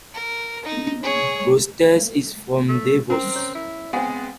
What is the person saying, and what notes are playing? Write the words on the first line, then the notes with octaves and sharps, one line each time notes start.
Klosters is from Davos.
A#4
D#4
G#4 C#5
A3
C4 C#4 A#4
C#5
E4
G#3 B3 C4 F5 F#5 G#5